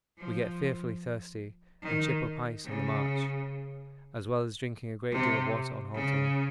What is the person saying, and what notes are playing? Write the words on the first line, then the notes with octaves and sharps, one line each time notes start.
We get fearfully thirsty and chip up ice on the march, as well as drinking a great deal of water on halting.
F3
D#3
C#3
C3
C#3